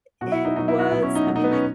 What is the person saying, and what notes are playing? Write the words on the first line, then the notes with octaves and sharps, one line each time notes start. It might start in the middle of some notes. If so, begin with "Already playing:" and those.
I It was. I mean, like,
B2 F#3 F#4
E4
D#4
B2 F#3 D#4
E4
F#4
B2 F#3 E4
C#4
D#4
B2 F#3
D#4
B3
C#4